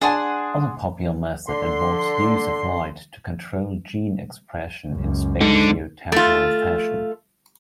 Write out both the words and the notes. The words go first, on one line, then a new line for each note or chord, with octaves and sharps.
Other popular method involves use of light to control gene expression in spatiotemporal fashion.
D4 G#4 F#5 G#5 A5 C6
D3 C6
C#2 F#2
G#2 D3
A3 F4